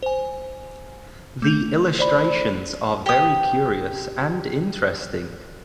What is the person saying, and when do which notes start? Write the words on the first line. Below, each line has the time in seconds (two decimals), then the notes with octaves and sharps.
The illustrations are very curious and interesting.
0.03 C5 G#5
1.42 A3 G6 F7
1.99 C5 D5 B5
3.06 G4 D#6